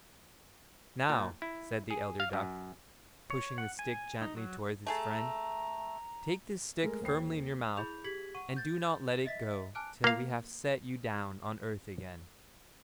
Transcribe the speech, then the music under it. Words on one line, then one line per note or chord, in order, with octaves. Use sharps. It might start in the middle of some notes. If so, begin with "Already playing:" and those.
'Now,' said the elder duck, pushing the stick gently towards his friend, 'take this stick firmly in your mouth, and do not let it go till we have set you down on earth again.'
A#2
E4
G#4
F5
F#2
C#5
F#5
G#5
D#4
F#3
A3 G#4 A4 A#5
G#3 A3 A#4
D#1 C5 G5 C7
E4 G#4 B5 G6 F7
G4 G#4 G#6 B6 F#7
F#5 C#6 D#7
G6 A6
D#5 E5 A6 B6
G#5 A5 D6 F6 F#6 D7
A#3 F5